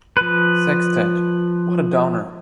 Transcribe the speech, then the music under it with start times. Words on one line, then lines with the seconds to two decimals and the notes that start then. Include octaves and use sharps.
Sextet: What a downer!
0.17 F3 B4